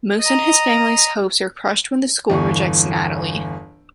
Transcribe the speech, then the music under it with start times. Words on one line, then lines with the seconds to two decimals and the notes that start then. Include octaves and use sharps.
Moose and his family's hopes are crushed when the school rejects Natalie.
0.21 D#5 A#5
2.30 G1 E2 C#6